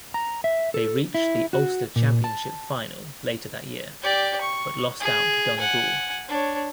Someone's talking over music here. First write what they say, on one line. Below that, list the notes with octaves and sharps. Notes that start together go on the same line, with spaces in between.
They reached the Ulster Championship final later that year, but lost out to Donegal.
A#5
E5
A4
E4
F#4
A#2
A5
G4 D5
C#6
G#4
F#5 G#5
D4 C#5